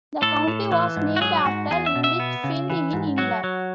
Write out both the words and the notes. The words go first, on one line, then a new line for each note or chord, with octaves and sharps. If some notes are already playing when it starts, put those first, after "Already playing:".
The county was named after Lichfield, in England.
A2 A4
A2
E3
G#2
F#4
F#3 G#4
G#2 F#4
E2 G#4
E5
B2
E5
B3
C#3
E3
G#2
F#3 F#4
F#3